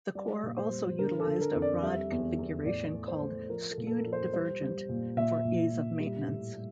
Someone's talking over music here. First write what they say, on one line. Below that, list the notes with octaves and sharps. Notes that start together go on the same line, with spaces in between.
The core also utilized a rod configuration called "skewed divergent" for ease of maintenance.
G3 D5
A#2
C5
G3
D3 A#4
A4
D3
A#4
F2
D5
G3 E5
E2
E2
A2 D5
A3
C5
A3
F3 A#4
A4
A#2
A4
A#4
F3
C5
G3 C5
G3
A#2
A#2 E5
A#2
A#2
G3
A2
G3